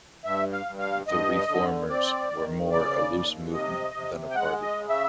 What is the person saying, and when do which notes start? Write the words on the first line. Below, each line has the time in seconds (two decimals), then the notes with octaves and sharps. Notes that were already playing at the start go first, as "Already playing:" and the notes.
The Reformers were more a loose movement than a party.
0.24 G2 E5
0.52 F5
0.66 G2
0.79 F5
1.07 G2 D#5
1.48 D3
1.89 C4 D5
2.31 D#3
2.71 C#3 D5
3.12 D#2
3.53 C3 D#5
3.94 C3
4.31 G5
4.34 G#3 F#5
4.62 D#5
4.76 C#3
4.89 E5